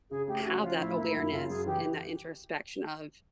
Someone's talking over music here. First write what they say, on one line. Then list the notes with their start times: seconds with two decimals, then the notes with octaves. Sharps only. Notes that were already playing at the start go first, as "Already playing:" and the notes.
have that awareness and that introspection of,
0.10 C#3 G#4
0.28 A3 G4
0.45 C#4 F#4
0.62 F3 F4
0.80 A2 E4
0.98 A#3 E4
1.15 F#2 E4
1.31 C#3 F4
1.49 F#2 G#4
1.66 E3 G4